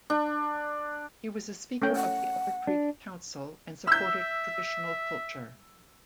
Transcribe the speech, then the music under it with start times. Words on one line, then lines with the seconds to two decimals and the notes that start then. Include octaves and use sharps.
He was a Speaker of the Upper Creek Council and supported traditional culture.
0.10 D4
1.82 A3 C#4 G5
1.96 F#5
2.67 D4
3.87 E5 E6 G6